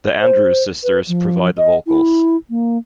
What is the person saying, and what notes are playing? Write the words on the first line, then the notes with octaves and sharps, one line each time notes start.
The Andrews Sisters provide the vocals.
C5
B4
F3
D#5
E4
A#3